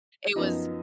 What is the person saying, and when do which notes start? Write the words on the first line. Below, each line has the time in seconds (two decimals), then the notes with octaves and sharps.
it was
0.36 F#2 F3 B3 D#4